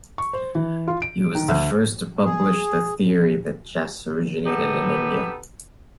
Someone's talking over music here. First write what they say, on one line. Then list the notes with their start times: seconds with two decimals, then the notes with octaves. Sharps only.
He was the first to publish the theory that chess originated in India.
0.18 C#6
0.33 C5
0.55 E3
0.88 F4
1.02 D7
1.35 D#3
1.48 D2
2.25 G#4
4.46 B3 D#4 G4 A4 B4